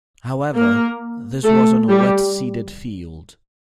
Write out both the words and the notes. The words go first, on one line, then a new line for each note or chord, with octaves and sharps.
However, this was on a wet-seeded field.
A#3 A#4
A3 A4
G3 G4